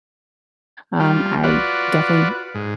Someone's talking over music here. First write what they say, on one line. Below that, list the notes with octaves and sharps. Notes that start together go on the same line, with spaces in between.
um, I definitely
G3 F4
F4 F#4 B4 D5
G#2